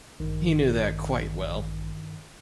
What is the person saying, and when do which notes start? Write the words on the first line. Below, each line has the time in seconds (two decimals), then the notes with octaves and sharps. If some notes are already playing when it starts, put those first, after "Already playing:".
He knew that quite well!
0.20 A1 G2 D#3